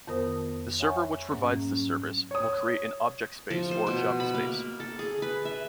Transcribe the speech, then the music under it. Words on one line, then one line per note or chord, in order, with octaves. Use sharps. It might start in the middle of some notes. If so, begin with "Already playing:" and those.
The server which provides this service will create an "Object Space", or "JavaSpace".
F2 D#3 B3 A#4 C5 D#6
C#5 E5 F#5 G#5 B5 C#6
G#2 F#3 A#3 C#4
C#5 D#6
F3
C5
B2
B5
A#3
A4
G#4
B4
E5